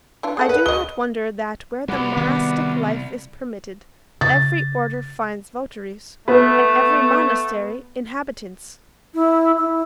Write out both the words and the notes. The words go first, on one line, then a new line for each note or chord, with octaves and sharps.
I do not wonder that, where the monastick life is permitted, every order finds votaries, and every monastery inhabitants.
E3 D4 F4
G#4 A4 F#5
B4
G#3 D#5 G7
C2 G3 F#4 B4 D5
D#3 B3
C#3 A6
A3 B3 B4
E4
E4